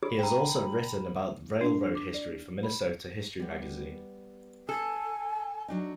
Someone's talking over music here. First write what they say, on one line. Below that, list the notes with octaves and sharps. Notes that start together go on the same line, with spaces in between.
He has also written about railroad history for Minnesota History magazine.
G#4 B5
G5 A#5
D4
D6
D5
B5
G3 B3
A4 G#5
F#3 D4 D#4